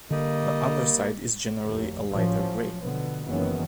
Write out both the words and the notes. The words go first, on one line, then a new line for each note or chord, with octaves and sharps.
The underside is generally a lighter gray.
D3 G3 A#3 D#5
F1 D#2
A1 A2 F3 F#3 C#4
B2 D3 B3
F#1 D#3 E3 B3 C#4